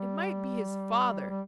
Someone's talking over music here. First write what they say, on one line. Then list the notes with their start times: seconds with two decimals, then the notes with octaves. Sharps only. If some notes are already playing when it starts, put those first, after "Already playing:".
It might be his father!
Already playing: G3
1.30 G3